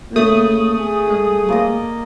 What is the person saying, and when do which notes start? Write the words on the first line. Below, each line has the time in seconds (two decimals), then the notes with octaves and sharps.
Mhm, mhm.
0.16 C#3 A3 D#6
0.79 G#4
1.49 A#3 D5 D#5